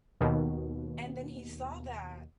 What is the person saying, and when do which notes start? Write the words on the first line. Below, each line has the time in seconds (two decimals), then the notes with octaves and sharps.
And then he saw that
0.21 D#2 B2